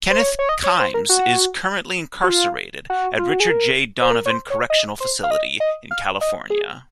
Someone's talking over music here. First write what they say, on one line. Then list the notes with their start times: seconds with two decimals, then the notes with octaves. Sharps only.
Kenneth Kimes is currently incarcerated at Richard J. Donovan Correctional Facility in California.
0.10 C5
0.20 C#5
0.39 C#5
0.49 D#5
0.64 C#5
0.80 C5
0.94 A#4
1.09 F#4
2.24 F#4
2.29 F4
2.90 F#4
3.19 F4
3.29 F#4
3.40 G#4
3.50 A#4
4.01 C5
4.10 A#4
4.26 C#5
4.30 C5
4.50 C#5
4.70 D#5
5.00 C5
5.23 F5
5.31 D#5
5.60 D#5
5.91 F5
6.21 D#5
6.50 G#4